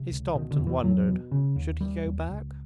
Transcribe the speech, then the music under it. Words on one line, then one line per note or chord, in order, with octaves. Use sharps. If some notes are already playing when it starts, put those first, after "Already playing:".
He stopped and wondered--should he go back?
Already playing: C3
C#2
B2 D#3
D3
E2
E3
E2 F#3
B2
C#3
D#2
D#2 G3
D#2
C#2